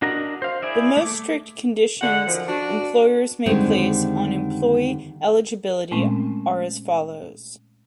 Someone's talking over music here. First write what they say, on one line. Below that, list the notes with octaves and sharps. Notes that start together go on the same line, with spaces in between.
The most strict conditions employers may place on employee eligibility are as follows.
D4 F#4 A#4 D#5 A#5
C5 F5
E4 G#4 D5 E5
A3 D6
D3 F#5
F#2 D#3 F3
D4 F#4
F2 D3 D#3 G3 G#3 C4
A#2 G#3 A3 C4 C#4